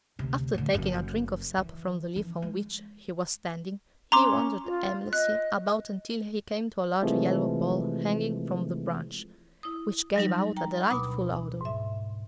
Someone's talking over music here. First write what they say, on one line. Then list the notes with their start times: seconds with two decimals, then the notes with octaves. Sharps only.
After taking a drink of sap from the leaf on which he was standing, he wandered aimlessly about until he came to a large yellow ball hanging from the branch, which gave out a delightful odor.
0.19 D2 C3
0.54 A2 D3
0.73 F#1 F#2
1.58 E3
2.16 E3 F3
2.42 G#3
4.12 C#4 A#5 C6 D6
4.65 F4
5.13 D#5 F#6
7.02 C3 E3 F3 G#3 A3
9.63 E4 D#6
10.16 F#3 G3 D#4
10.56 G5 A#5
10.90 D2 B2 B5 D6
11.61 G#2 E5